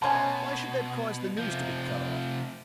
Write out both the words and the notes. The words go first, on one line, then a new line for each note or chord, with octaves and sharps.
Why should that cause the news to be cut off?
B2 A3 C#4 A#4 A5 C6 G#6
C3 F3